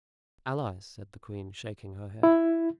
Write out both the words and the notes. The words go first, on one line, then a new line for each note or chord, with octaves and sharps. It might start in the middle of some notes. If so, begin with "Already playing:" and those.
"Allies!" said the queen, shaking her head.
E4